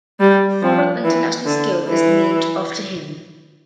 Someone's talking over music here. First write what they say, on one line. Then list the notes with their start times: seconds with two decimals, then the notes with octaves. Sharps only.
Forel International School is named after him.
0.20 G3
0.62 F3
1.04 E3
1.46 D3
1.89 E3